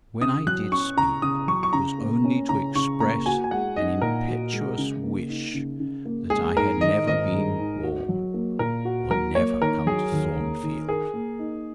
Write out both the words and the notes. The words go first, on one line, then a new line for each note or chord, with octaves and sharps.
When I did speak, it was only to express an impetuous wish that I had never been born, or never come to Thornfield.
C#3 D#6
F#3 F#6
C#4 C#6
C#3 A#5
C#3 D#6
F#3 C#6
C#6
C#3 A#5
A#3
C#4
C#3 A#5
C#3 C#6
A#3 A#5
F#4 G#5
G#5
G#3 F#5
D#4 D#5
A#2 A#4
F#4
G#3
C#3
A#3
D#4
C#3
C#3
A#3
G#3 G#4
G#2 A#4
D#3 D#5
G#1 D#5
G#3
G#2
F#4
F#3
A#3
A#2 A#4
F#4
F#3 A#4
A#3 C#5
D#3 A#4
F#3 G#4
D#2
A#3
D#3
G#4 A#4
A#3
D#4